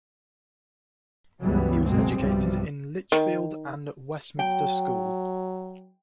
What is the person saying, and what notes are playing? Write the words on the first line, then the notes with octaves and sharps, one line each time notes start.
He was educated in Lichfield and at Westminster School.
C#2 G2 E3 F#3 G3 B3
F#1 B2 F#3 G#3 A#3 C4
B1 G2 C3 F3 G3
D#3
F#3 G5